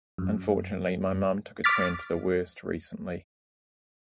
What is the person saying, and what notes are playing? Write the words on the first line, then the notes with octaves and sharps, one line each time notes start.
Unfortunately my mum took a turn for the worse recently.
F#2
D6 F6 A6 B6